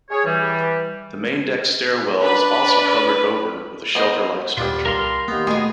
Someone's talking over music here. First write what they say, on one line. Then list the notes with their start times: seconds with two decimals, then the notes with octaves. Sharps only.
The main deck stairwell was also covered over with a shelter-like structure.
0.11 G#4 C#5
0.25 E3 G3
2.21 D4 B4 B5
3.95 B3 C5 D#5
4.57 D#2 A#2 G3 D4 F4
4.86 C2 A#4 F5 C6
5.28 D#2 A#3 B3
5.47 B2 G#3 A3 G#4